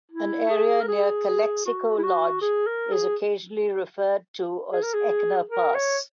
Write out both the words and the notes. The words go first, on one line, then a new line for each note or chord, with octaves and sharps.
An area near Calexico Lodge is occasionally referred to as Eckener Pass.
E4
G#4
A#4
G#4
G#4
F#4
E4
F#4
G#4
A#4
G#4
G#4
A#4
G#4
A#4
C#5